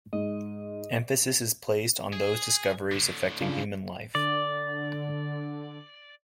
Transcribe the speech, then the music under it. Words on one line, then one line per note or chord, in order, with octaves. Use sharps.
Emphasis is placed on those discoveries affecting human life.
G#2 D#5
G#4
A2 D3
C#3 D4 F4
D3 D5